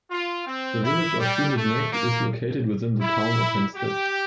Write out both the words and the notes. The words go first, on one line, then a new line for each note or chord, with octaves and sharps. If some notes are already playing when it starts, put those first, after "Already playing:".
The Village of Hewlett Neck is located within the Town of Hempstead.
F4
C4
E4
G3
A3
A#3
E4
G4